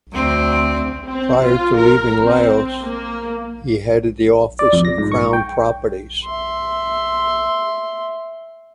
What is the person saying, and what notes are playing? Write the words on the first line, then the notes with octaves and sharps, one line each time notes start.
Prior to leaving Laos he headed the Office of Crown Properties.
D2 C4
C4
F4
A#4
C4
A#3
D5
F2
A#6
G#2
C#6
G5
E5 C6